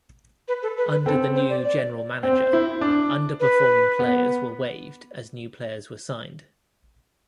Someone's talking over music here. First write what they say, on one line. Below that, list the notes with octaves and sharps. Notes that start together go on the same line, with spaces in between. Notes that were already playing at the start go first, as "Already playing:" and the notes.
Under the new general manager, underperforming players were waived as new players were signed.
B4
A4
B4
B4
C4 A4
C5
D5
D5
C4 C5
E4
D4
B4
B3